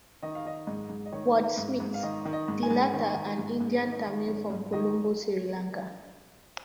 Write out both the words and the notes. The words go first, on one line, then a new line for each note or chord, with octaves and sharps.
Wordsmith, the latter an Indian Tamil from Colombo, Sri Lanka.
D#3 D#5
F5
D#3 D#5
G#2 D#5
G#2
D#5
D#3 C#5
D#3
G#2
G#2
F5
D#3 D#5
D#3
D#5
G#2
G#5
G#2
D#3
D#3
G#2
G#2
D#3
D#3
G#2
G#2
D#3 D#5